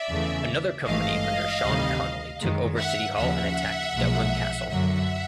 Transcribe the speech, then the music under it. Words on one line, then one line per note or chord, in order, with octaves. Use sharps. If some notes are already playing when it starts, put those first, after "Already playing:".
Another company under Sean Connolly took over City Hall and attacked Dublin Castle.
Already playing: D5 E5
E2 C#3 E3 A3
G#1 G2 E3 A3 D#5 F5
D2 C3 D#3 G3
F#2 D#3 G#3
E5 F#5
D#2 C#3 F3 E5 F#5
B1 A#2 F3 G#3
F#2 D3 F#3 E5 F#5